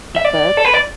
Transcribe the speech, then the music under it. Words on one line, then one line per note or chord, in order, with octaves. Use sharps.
Um, vets?
E5
D5
A4
B4
D5